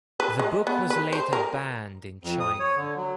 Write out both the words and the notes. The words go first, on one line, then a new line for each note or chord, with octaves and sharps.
The book was later banned in China.
B4
G#3
B3
B4
C5
A#4
F2
D#6
C#5
D3
F#3